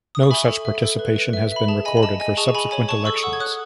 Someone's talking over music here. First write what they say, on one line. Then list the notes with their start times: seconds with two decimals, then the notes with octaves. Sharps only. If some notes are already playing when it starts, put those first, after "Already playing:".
No such participation has been recorded for subsequent elections.
0.15 D#6
0.23 C#6
0.31 E5 G#5 B5
0.48 A4
0.65 E5
0.83 A4
0.99 B4
1.16 B4
1.33 E5
1.52 E5 B5
1.68 G#4 A5
1.85 D#5 G#5 B5
1.97 B5
2.03 D#5 A5
2.20 D#5 G#5
2.37 G#4 A5 C#6
2.55 G#4 G#5 B5
2.71 C#5 G#5 B5
2.88 C#5 A5 C#6
3.05 A4 C#6 E6
3.17 D#6
3.23 F#5 C#6 E6
3.33 G#6
3.40 C#5 D#6 F#6